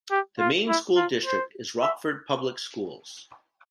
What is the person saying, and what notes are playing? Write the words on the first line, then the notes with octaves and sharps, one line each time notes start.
The main school district is Rockford Public Schools.
G4
F4
E4
F4
C5
E5